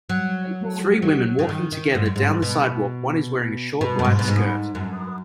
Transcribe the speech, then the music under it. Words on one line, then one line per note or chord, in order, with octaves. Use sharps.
Three women walking together down the sidewalk, one is wearing a short white skirt.
F#3
F#3
C#3
D#3
D#3
G#2
F#2
G#2
B2
B2
F#2
G#2
B2
G#2
F#2